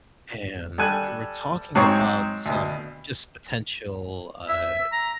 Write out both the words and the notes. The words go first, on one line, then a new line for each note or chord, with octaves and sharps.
and we were talking about some just potential, uh,
G3 A4 G#5 F#6
G#2 F#3 C4 C#5 A#5 C#6
D2 B2
E5
A#5